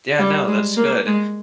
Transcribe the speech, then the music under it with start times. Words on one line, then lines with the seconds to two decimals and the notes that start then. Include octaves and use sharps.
Yeah, no, that's good.
0.19 G3
0.48 G#3
0.77 A#3
1.06 G#3